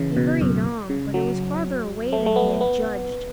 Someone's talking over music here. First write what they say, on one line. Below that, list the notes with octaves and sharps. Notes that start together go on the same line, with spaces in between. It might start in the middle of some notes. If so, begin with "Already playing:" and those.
He hurried on but it was farther away than he had judged.
Already playing: C#3 E3
B2
F#2
C#3
F#3
A3
A3
B3
B3